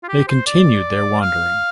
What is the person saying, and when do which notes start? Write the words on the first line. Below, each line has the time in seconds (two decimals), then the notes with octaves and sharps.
They continue their wandering.
0.03 F4
0.08 G4
0.28 C5
0.46 D5
1.21 F5